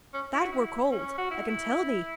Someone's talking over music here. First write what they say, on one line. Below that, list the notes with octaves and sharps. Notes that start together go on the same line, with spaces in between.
That were cold, a can tell the'!
C#4
E4
F#4
E4
C#4
F#4
E4
E4